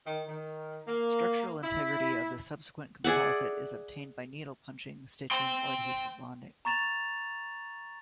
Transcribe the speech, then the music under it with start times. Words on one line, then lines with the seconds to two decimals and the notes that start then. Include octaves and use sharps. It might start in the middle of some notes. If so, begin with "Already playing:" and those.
Structural integrity of the subsequent composite is obtained by needle-punching, stitching or adhesive bonding.
0.05 D#3
0.27 D#3
0.87 A#3
1.63 E4
3.04 G#4 D5 E5 F#5
5.31 G5 C6
6.65 A#5 C#6 A6 E7 F7